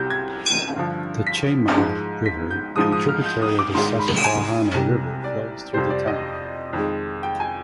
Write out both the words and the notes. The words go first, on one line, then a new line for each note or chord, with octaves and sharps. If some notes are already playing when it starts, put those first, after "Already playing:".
The Chemung River, a tributary of the Susquehanna River, flows through the town.
Already playing: C2 C3 G3 G6
G#6
G2 D3 F3
B6
G#2 F3 G#3
B6
G6
G#2 F3 G#3 D#6
D#6
F6
G6
D#6
D6
G#2 D#3 G#3 C6
B5
G#5
C2 C3 G3
D5
F2 C3 G3 C5
D5
D#5
F2 D#3 G#3
G5
G#5